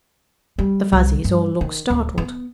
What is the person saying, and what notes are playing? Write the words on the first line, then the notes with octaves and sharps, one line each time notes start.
The Fuzzies all looked startled.
G3
C2
G2
D#3
D1
B3